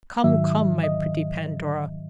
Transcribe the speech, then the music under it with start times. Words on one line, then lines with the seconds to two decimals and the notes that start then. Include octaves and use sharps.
Come, come, my pretty Pandora!
0.24 G#2 D#3 F#3 E5
0.84 D#5